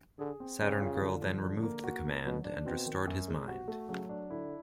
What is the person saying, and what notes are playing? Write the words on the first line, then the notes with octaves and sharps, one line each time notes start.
Saturn Girl then removed the command and restored his mind.
D3 G#4
C4
C#3 G3
F4
D3
F3
D3
A#3
F#4
A#3
B2 F#3
D4
B2 C4
D#3
F#2
G#3
C3 F#4
A3
C#3 F#3
D4
D3 E4